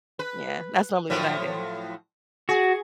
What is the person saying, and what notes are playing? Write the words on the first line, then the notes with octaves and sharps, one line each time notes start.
Yeah. That's normally what I do.
B4
A2 F3 F#3
F#4 G#4